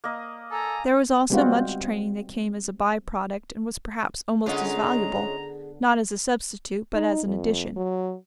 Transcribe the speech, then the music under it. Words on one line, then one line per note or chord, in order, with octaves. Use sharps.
There was also much training that came as a by-product and was perhaps almost as valuable--not as a substitute but as an addition.
A#3 D#5
A4 G#5 A#5
G3 G#3 B3 C4 F4 F#4
D3 G#3 B3 C#4 F4 G#4 A#5
D#4
F2
F#3